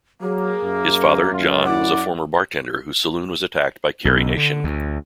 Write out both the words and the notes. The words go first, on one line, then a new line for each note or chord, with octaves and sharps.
His father, John, was a former bartender whose saloon was attacked by Carrie Nation.
F#3 A#3 G#4
F#2
F4
E4 D5 F#5 D6
B1
D3
D2